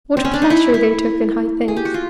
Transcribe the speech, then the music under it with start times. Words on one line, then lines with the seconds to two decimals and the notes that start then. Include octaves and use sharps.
What pleasure they took in high things!
0.17 C4
0.25 C#4
0.33 D4
0.42 D#4
0.50 E4
0.74 E4
1.68 G#4
1.76 G4
1.85 F#4
1.94 F4